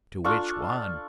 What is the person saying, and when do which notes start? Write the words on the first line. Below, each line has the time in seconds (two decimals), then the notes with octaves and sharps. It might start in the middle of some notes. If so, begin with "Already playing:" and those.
"To which one?"
0.24 D4 F4 A4 C#6